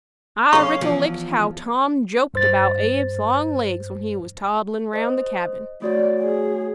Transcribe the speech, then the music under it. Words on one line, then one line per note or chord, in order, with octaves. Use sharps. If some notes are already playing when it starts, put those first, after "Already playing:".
I ricollect how Tom joked about Abe's long legs when he was toddlin' round the cabin.
C#4 F5 C#6
E2 F3
G2 C5 A6
C5 D#5
A3 F#4 C#5 D5
G#4